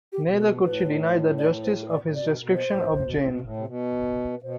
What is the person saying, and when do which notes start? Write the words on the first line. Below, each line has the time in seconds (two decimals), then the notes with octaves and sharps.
Neither could she deny the justice of his description of Jane.
0.13 G4
0.25 B2
0.38 A4
0.63 A2 B4
1.39 D5
1.64 C5
1.90 D5
2.01 A2
2.15 B2 D5
2.40 B2
2.52 C5
2.66 A2
2.90 A2
3.03 B2
3.16 A2
3.28 B2
3.41 A2
3.57 C3
3.67 B2
4.32 B4
4.42 B2 C5